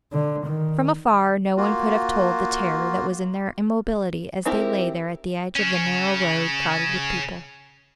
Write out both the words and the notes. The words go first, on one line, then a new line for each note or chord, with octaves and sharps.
From afar no one could have told the terror that was in their immobility as they lay there at the edge of the narrow road crowded with people.
D3
D#3
A#3 F4 F#4
C4 E4 G4 A#4
C#3 C#4